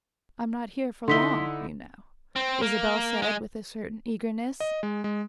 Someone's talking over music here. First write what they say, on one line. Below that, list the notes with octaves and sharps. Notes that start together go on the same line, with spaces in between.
"I'm not here for long, you know," Isabel said with a certain eagerness.
D3 D#4 E4 C6 B6 G7
C4
A#3
G#3
D#5
G#3
G#3